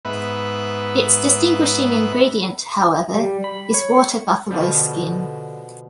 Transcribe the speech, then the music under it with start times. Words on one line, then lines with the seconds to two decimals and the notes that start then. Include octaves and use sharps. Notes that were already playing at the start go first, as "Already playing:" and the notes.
Its distinguishing ingredient, however, is water buffalo skin.
0.05 G#2 B3 B4 E5
3.14 G3
3.44 B5
3.74 C#5
4.51 B2 D3 F3 G3